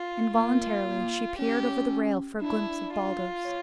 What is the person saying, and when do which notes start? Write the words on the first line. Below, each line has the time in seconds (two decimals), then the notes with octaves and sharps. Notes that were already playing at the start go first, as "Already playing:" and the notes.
Involuntarily she peered over the rail for a glimpse of Baldos.
Already playing: F4
0.35 A#3 F4
1.38 C#4 G4
2.42 D4 E4
2.93 F4
3.45 C#5